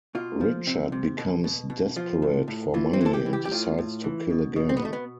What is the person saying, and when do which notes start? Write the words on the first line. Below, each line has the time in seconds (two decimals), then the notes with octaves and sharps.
Richard becomes desperate for money and decides to kill again.
0.15 B2 F4
0.41 F3
0.67 C3
0.92 C3
1.19 B2
1.44 B2
1.70 B2
1.96 F3 F4
2.22 A2
2.48 A2
2.74 E3 F4
2.93 C4
3.01 E3
3.06 A4
3.14 G4
3.26 E3
3.33 G4
3.45 G4
3.51 A2 F4
3.78 A2
4.04 E3
4.30 B2
4.56 B2
4.69 C4
4.77 B3
4.82 B2 A3
4.93 B3